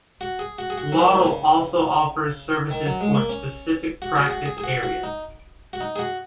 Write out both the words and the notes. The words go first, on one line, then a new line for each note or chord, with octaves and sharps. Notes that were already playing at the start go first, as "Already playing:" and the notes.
Lawtel also offers services for specific practice areas.
F#4
G#4
F#4
G#4
F#4
F#3
D#3
A#2
C#3
D#3
F#3
G#3
A#3
C#4
F#4
F#4
G#4
F#4
G#4
G#4
F#4
F#4
D#4
F#4
D#4
G#4
F#4